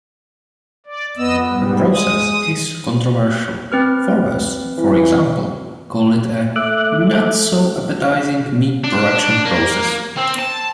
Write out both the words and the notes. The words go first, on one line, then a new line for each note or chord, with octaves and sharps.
The process is controversial; "Forbes", for example, called it a "not-so-appetizing meat production process".
D5
F2 B3 D#5 E6
G#2 G3
G#3 D#6
C4 B4 F6
E3
A3 E5 D6 F#6
D4
A#3
C4
A5